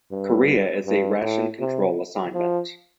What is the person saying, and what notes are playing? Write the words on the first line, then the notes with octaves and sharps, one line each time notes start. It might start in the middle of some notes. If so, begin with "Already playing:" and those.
Korea is a ration control assignment.
G2
G2
A2
C3
F3